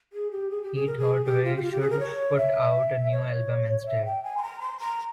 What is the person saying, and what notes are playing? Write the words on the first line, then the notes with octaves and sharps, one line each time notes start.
He thought we should put out a new album instead.
G#4
G4
G#4
G4
G#4
A#4
G#4
G4
F4
G4
F4
G4
G#4
A#4
C#5
E5
C#5
E5
G5
G#5
C6
A#5
C6
A#5